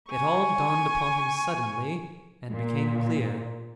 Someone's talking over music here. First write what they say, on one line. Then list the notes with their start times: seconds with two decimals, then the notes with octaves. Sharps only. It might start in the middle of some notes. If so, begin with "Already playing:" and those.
It all dawned upon him suddenly and became clear.
0.10 G#5 C#6
2.52 A#2